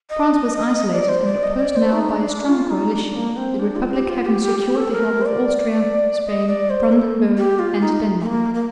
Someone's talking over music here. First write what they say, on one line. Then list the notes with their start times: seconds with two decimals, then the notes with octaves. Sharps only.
France was isolated and opposed now by a strong coalition, the Republic having secured the help of Austria, Spain, Brandenburg and Denmark.
0.10 D#5
0.92 D5
1.09 C5
1.26 D5
1.43 D#5
1.59 D5
1.76 C5
1.93 D#4
2.09 D4
2.25 D4
2.49 F4
2.70 D#4
2.92 D4
3.15 A#3
3.37 C4
3.59 D4
3.76 F4
3.93 G4
4.09 F4
4.26 G4
4.42 G4
4.59 G4
4.76 A4
4.92 A#4
5.22 C5
5.26 D5
5.59 D5
6.26 D#5
6.48 D5
6.70 C5
6.92 A4
7.37 G4
7.59 F4
7.81 D#4
8.21 A3
8.26 A#3
8.54 A#3